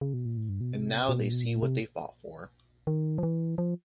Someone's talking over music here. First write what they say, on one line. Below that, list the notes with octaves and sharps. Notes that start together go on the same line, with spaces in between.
And now they see what they fought for.
C#3
B2
A#2
A2
G2
B2
C3
B2
A#2
B2
A#2
C3
D#3
F3
E3
F3